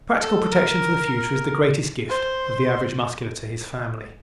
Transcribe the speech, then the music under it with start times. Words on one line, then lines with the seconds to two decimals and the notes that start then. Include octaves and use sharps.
Practical protection for the future is the greatest gift of the average Muscular to his family.
0.21 A4
0.53 A#4
2.10 C5